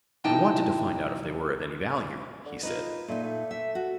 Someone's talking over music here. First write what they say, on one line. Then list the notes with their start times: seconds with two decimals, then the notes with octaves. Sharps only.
"I wanted to find out if they were of any value," he said.
0.24 F#2 C3 E3 D#4 G5 A5
2.46 D3
2.63 D#4 F4 A#4 B4
3.08 A#2 A3 D#4
3.24 A3
3.51 E5
3.75 F#4